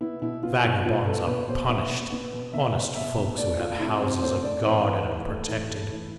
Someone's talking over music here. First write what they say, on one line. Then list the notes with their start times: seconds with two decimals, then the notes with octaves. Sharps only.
Vagabonds are punished, honest folks who have houses are guarded and protected.
0.01 B3 E4
0.22 B2 E4
0.43 B3 F4
0.64 B2 F4
0.85 B3 F4
1.06 B3 A4
1.27 B2 B4
1.48 B2 C5
1.69 B3 E5
1.90 B3
2.12 B3
2.33 B2
2.54 B3 E5
2.75 B2
2.95 B2 E5
3.17 B2
3.38 A3 D5
3.59 A3 F4
3.80 C3 E4
4.01 C3 C5
4.22 A3 C5
4.43 C4 D5
4.64 E3 C5
4.85 E3 B4
5.06 E3
5.27 A3
5.48 E3
5.69 A3
5.91 E3